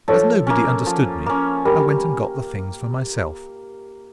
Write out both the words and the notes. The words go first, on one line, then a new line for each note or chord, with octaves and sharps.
As nobody understood me, I went and got the things for myself.
F3 A4 C#5
A#3 C#4
F3
A#3 C#4
G3 G4 A#4